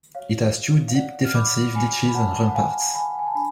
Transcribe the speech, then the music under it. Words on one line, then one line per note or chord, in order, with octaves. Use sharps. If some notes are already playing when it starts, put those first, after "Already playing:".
It has two deep defensive ditches and ramparts.
F#4 C#5 F5
F5
D5 F#5
F6
B5 D6
G#5 B5
B5
F#5 A5
F#5
F5 G#5
G#5 B5
F#5
G#5
A5
D4 G#5 B5